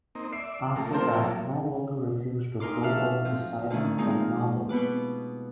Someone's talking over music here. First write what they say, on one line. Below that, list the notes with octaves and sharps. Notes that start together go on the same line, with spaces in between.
After that no worker refused to go over the side and cut marble.
A#3 C4 D#4
D5 E5 C7
F3 A3 A#3
C4 A#4 C5
F#3
A#2 D#4 A#4 C6 D6
F#4 A4 E5 F5
F3 C4
D3 D#3 A3 C#4
F3 G#3 A#3 C4 D#4 F4
B2 B3 B4 D6